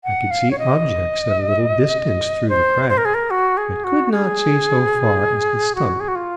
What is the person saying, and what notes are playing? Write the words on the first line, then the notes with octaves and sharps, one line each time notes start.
I could see objects at a little distance through the crack, but could not see so far as the stump.
F#5
F5
C#5
D#5
C5
C5
A#4
G#4
A#4
F#4
G#4
F#4
G#4
F#4
G#4
F#4
F4